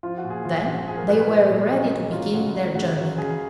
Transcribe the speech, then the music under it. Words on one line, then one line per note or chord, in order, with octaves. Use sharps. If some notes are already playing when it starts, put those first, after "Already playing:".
Then they were ready to begin their journeying.
F3 F4
F#4
A#2
G#4
F3 F4
A#2 F#4
F3 G#4
A#4
A#2 B4
B4
F3
A#2
F#3 D#5
C#3
F#3 F4
C#3 F#4
F#3
C#3 F#4
F#3 F#4
C#3 G#4